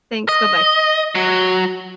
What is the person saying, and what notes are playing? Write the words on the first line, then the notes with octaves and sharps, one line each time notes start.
Thanks, bye-bye.
D#5
F#3